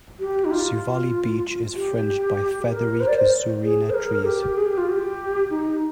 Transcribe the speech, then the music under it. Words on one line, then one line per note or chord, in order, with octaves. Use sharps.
Suvali beach is fringed by feathery casurina trees.
G4
D#4
F4
G4
A#4
C5
D5
C5
G#4
C5
A#4
G4
G#4
G4
F4
G4
D#4